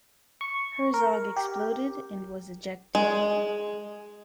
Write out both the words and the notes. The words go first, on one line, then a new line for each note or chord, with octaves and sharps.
Herzog exploded and was ejected.
C#6
A#4
G4
G#3